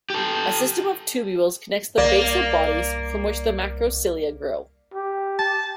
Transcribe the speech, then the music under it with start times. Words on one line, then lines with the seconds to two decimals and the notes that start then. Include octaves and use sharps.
A system of tubules connects the basal bodies from which the macrocilia grow.
0.10 G4 A4
1.98 C2 A#3 D5
4.94 G4
5.39 A5